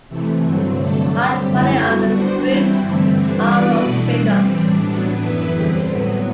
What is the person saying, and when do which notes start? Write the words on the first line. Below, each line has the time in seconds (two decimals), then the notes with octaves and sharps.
Large variety of the fruits are from "Ficus".
0.09 C3 E3 A3
0.44 G2 D3 F#3 C4
0.77 D3 F#3 A3 D4 A4
1.12 G3 C4 G4
1.46 F#2 D3 A3 E4 G4
1.79 G3 B3 F#4
2.13 G3 D4 F#4 C5
2.47 E3 G3 C4 E4
2.81 G2 D3 A3 C4
3.16 E3 G3 D4
3.50 E3 B3 F#4 B4 D5
3.84 B2 A3 D4
4.17 E3 G3 C4
4.51 A2 E3 G3 D4
4.86 A2 F#3 B3 D4
5.19 F#2 E3 B3 E4 B4
5.54 E2 D3 G3 C4
5.88 A2 F#3 B3